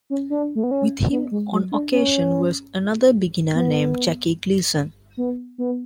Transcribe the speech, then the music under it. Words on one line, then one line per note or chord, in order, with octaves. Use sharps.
With him on occasion was another beginner named Jackie Gleason.
C#4
D4
A3
B3
C#4
B3
G#3
F#3
D4
C#4
B3
B3
B3